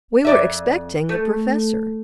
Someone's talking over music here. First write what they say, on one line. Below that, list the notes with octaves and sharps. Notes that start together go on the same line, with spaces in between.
We were expecting the professor.
F2 D5 E5
A3